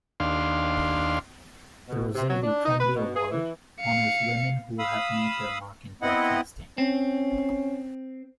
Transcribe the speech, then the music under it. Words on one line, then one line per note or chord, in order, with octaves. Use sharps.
The "Rosalie Trombley Award" honours women who have made their mark in broadcasting.
D#2 D4 F5 C6
B2
C3
F#3
D4
D#4
B4
B2
G#4
E3
F5 C#7
F5 B5 D#6 E6
B3 C4 E4 D#5 F#5
C4 C#4